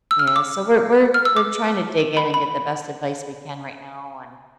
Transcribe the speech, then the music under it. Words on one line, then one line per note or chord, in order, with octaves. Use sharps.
yeah, so, we're we're we're trying to dig in and get the best advice we can right now, and
E6
F6
E6
D6
F6
E6
D6
B5
B5